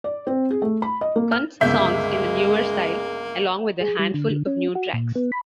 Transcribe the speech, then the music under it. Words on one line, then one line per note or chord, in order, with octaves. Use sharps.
Guns songs in a newer style, along with a handful of new tracks.
D5
C4
G#4
A3
B5
D#5
A#3
F6
G1 C#2 G#3 A#3 E5 G6
G#4
G3
D3
D3
C#4
F#4
A#2
B3
B5